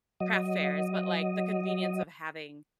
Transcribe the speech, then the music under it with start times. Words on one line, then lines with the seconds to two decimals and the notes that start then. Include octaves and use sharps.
craft fairs, but like the convenience of having
0.20 F#3 D#5